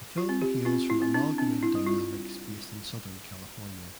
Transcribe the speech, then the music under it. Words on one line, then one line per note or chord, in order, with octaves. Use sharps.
The film hails from Amalgamated Dynamics based in Southern California.
F4
C4
G4
C4 F4
E4
C4
D4
C4 D4
E4
G3
F4